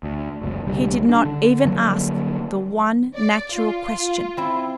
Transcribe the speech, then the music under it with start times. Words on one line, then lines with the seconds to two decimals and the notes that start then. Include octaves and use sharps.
He did not even ask the one natural question.
0.03 D2
0.42 F#1 C#2
0.67 C2 D3 G3
1.09 D4
1.25 D3
1.65 D3 F#3 A3 A#3
3.15 D5
3.51 F4
4.37 C4 E4